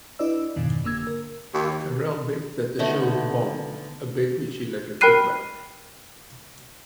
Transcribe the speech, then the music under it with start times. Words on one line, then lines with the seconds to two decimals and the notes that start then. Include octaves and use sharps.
Carrell bet that the show would bomb, a bet which he later took back.
0.19 D4 E4 B4 D5 D#5 E6
0.56 F2 G#2 B2 D3 D#3
0.84 G1 D3 A#3 E6 G#6
1.07 A#4
1.54 D#2
2.79 D3 A3 B3 D#4
5.01 A#4 G5 B5 F#6 C7 D#7